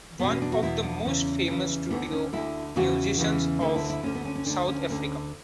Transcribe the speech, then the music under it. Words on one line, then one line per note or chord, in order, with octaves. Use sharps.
One of the most famous studio musicians of South Africa.
E2 B2 B3
C#4
D4
F#4
E2 B2 E4
D4
E2 C#3 E3 C#4
E2 C#3 E3
D2 D3 B3
C#4
D2 D3 E4
E2 C#3 E3 F#4
E2 C#3 E3
D2 D3 E4
E4
E4
D2 D3 C#4
B3
C#4
C#4
D2 D3 D4
C#4
D2 D3